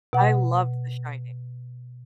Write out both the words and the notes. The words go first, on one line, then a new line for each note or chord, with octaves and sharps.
I loved The Shining.
B2 F#5